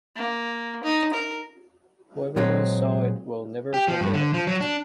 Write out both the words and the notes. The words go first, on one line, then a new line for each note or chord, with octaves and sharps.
Whoever once saw it will never forget it.
A#3
D#4
A#4
A#2 F#3 G#3 C4
G4
F3
G2
D3
F3
F#3
D4